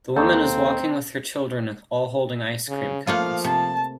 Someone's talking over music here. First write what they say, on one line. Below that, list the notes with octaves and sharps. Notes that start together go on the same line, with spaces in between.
The woman is walking with her children all holding ice cream cones.
D#2 C4 A4 A#5 G6
C#3
F3 A3 A#3 F4 F5
C3 A5